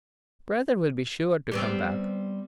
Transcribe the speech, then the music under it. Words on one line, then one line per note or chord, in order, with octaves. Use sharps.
Brother will be sure to come back.
G3 B3 C4